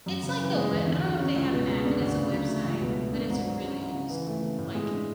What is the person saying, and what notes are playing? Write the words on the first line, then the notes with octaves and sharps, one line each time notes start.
It's like a we I don't know if they have an app. It is a website, but it's really old-school. Like,
F#2
C#3
E3
G#3
E2
D3
F#3
C#4
C#2
B2
G#3
D4
D2
C#3
F#3
A3
C#2
B2
A3
D4
G#2
F#3
C#4
E4
C#3
E3
A3
C#3
A2
G#3
D4